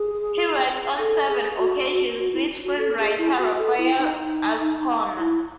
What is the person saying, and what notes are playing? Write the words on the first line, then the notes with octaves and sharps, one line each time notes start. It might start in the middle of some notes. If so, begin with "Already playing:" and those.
He worked on seven occasions with screenwriter Rafael Azcona.
Already playing: G#4
A4
G#4
F#4
F#4
E4
F#4
A4
G#4
E4
F#4
A4
E4
D#4
E4